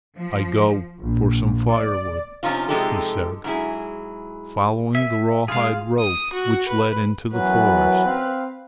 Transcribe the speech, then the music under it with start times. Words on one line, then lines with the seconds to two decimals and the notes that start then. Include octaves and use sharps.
"I go for some fire-wood!" he said, following the rawhide rope which led into the forest.
0.16 F3
1.00 A#1
1.72 D5
2.43 C3 F3 C#4 D#4 F4
2.68 C3 F3 G#3 D#4 G4 A4
3.44 G#2 F#3 E4 G#4
4.95 E5 G#5
5.48 G#3 F4 G#4 F5
5.99 D#6
6.33 F#4
6.69 B4
7.33 F#2 E3 F#3 B3 B4
8.06 C4 F5